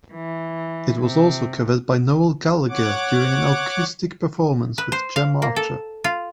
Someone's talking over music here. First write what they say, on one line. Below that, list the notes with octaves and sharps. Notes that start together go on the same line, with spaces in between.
It was also covered by Noel Gallagher during an acoustic performance with Gem Archer.
E3
C3
C#5 F#5 D6
B4
C5
F5
A#3
A4
F4